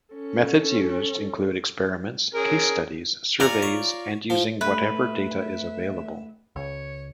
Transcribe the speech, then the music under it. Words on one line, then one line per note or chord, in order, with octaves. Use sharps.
Methods used include experiments, case studies, surveys, and using whatever data is available.
C#4 A4
C#4 G#4 A#4
F4 A#4 D5 G#5 A#5 C#6
C#5
F3
A3 B4 E5
C#2 C#5